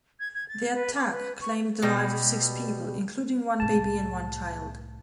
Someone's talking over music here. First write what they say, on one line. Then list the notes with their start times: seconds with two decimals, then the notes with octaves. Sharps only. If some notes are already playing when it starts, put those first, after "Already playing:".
The attack claimed the lives of six people, including one baby and one child.
0.20 G#6
0.34 G#6
0.48 A6
0.74 B4
0.95 D6
1.12 B4
1.41 C#6
1.82 B2 G3
3.60 C2 A2 A5